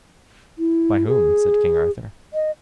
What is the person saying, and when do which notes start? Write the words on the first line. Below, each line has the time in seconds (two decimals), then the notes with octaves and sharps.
By whom? said King Arthur.
0.59 E4
1.07 G#4
2.34 D#5